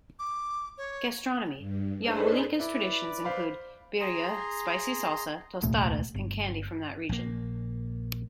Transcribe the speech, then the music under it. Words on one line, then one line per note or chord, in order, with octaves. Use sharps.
Gastronomy: Yahualica's traditions include "birria", spicy salsa, "tostadas", and candy from that region.
D6
C#5
G2
D4 D#4 G#4 A4 B4 C5
E4 B4 D5
C5 F5 B5
G#4 A#5 C6
D#1 C2 A#2 A3
G1
A#1 A#3